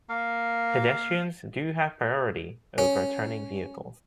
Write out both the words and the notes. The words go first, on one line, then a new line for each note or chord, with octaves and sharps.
Pedestrians do have priority over turning vehicles.
A#3 F5
C#4